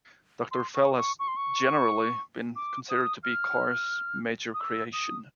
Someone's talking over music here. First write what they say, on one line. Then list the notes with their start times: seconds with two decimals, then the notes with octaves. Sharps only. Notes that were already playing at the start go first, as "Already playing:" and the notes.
Doctor Fell has generally been considered to be Carr's major creation.
0.51 C6
0.74 C#6
0.97 C#6
1.19 C#6
1.28 C6
1.37 C#6
2.56 D6
2.90 D#6
3.24 F6
4.54 D#6
4.60 E6
4.93 D#6